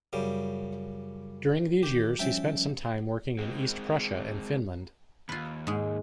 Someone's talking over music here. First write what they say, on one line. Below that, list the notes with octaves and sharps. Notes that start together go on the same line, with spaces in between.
During these years he spent some time working in East Prussia and Finland.
F#2 C#3 G3
D#3 G4
F3 G3 C#4 E5 G5 A5
G#3 C4
D#2 F4 B4
G#2 G#3